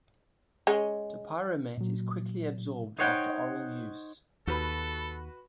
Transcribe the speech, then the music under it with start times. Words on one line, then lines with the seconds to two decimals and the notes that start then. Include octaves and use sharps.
Topiramate is quickly absorbed after oral use.
0.67 G#3 C#4
1.78 A#2 F#3
2.99 D#4 C5 C#5 F#5 G5
4.47 D#2 F#4 A4 B4 B5